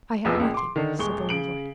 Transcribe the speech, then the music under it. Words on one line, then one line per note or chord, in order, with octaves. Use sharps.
"I have nothing," said the landlord.
F1 B1 E2 F3 B3 E6
C#2 A#2
C6 D6
D3 D#3
D#1 G#3 C#6 G7
C#3 D7 F#7